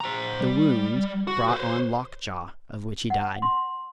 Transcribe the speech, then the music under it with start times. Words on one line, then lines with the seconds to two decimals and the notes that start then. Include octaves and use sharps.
The wound brought on lockjaw, of which he died.
0.01 C5 A#5
0.41 G3
1.27 F#4
1.48 B4 C5
3.10 F#5
3.42 C6